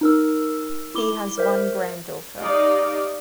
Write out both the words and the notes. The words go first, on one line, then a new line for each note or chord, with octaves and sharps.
He has one granddaughter.
D#4 A#4 E6
E4 D6 G7
A#4 C5 E5
D#4 G4 D5 D#5 F5